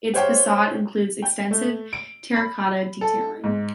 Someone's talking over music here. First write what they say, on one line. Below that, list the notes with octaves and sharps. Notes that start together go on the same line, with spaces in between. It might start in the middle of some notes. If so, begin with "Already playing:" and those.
Its facade includes extensive terra cotta detailing.
G4 C5 C#5 F5 G5
G5
A3
D7
B5
A4
G#2